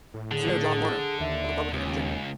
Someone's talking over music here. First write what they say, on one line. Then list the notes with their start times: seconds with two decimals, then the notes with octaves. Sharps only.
Senator John Warner, a Republican from Virginia.
0.14 A2
0.31 D3 G#4
1.20 D#2 E5
1.73 C#2 C#4